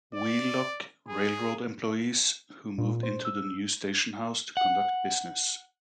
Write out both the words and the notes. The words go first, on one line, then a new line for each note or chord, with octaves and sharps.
Wheelock, railroad employees, who moved into the new station house to conduct business.
D5
G#4
A#2
C5
E6
F#5